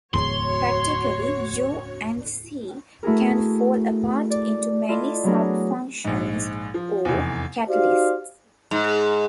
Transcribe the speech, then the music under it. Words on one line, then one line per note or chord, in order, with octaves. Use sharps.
Practically, 'u' and 'c' can fall apart into many subfunctions or catalysts.
D1 E2 F#4 C#5 C6
A3 E4 F#4 G#4 A#4
D5
E4 F4 A4 D5 D#5
F#3 A3 B3 D4 G#4 A#4
A#1 G#2
F3
F1 E2
D#4 F#4 G4 C5 D5 F5
G#2